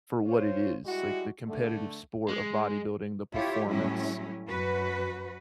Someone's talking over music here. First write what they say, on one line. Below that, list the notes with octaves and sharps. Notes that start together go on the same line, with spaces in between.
for what it is, like, the competitive sport of bodybuilding, the performance.
C#4 F4 C5 C#5
G3 G#3 E4 F#4
D3 A3
G#3
E4 F4 G4 C#5
A2 F#3 G3 C#4 E4
F#2 F#4 B4